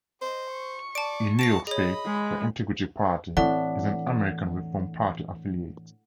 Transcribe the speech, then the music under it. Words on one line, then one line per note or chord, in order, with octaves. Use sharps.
In New York State, the Integrity Party is an American Reform Party affiliate.
C5 D#5
C#6
D5 A5 D7
A5 A#6 D7 E7
G#4 C#5 D#5 B5
G#3
A2 E3 C4 D4 F#5